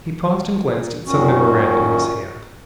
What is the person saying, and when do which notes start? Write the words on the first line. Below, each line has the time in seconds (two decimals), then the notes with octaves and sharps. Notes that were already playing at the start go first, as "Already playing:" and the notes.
He paused and glanced at some memoranda in his hand.
1.06 F#2 A#2 D#3 C#4 F#4